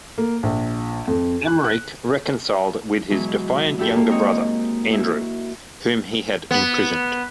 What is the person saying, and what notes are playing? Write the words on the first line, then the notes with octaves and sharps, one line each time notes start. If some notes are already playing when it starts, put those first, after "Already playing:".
Emeric reconciled with his defiant younger brother, Andrew, whom he had imprisoned.
A#3
A#1
F2
F#6
F#6
B2 E3 F#3 G#3
D4 E4 F#4 G4 A4 B4
A#3
G#3 C4 D#4 F#4 C#5 D#5
E4 F#4
B3